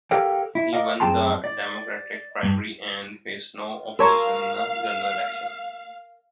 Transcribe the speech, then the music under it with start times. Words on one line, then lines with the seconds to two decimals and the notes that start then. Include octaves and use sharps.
He won the Democratic primary and faced no opposition in the general election.
0.11 G4 A4 A#4 C#5 F5 G5
0.55 E4
0.73 A#4 D5 D#5 F5
1.00 F#2 C4 G#4 G5 A5 C6
1.44 D5
2.43 G2
3.99 F#4 A#4 C#5 F5 A5 A#5 E6